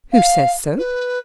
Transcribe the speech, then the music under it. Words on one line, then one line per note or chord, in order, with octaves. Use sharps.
"Who says so?"
F5
B4